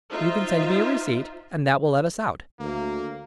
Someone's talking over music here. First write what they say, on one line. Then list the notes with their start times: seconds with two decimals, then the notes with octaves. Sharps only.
You can send me a receipt and that will let us out.
0.10 D#4 F4 C5 E5
2.60 D2 A#3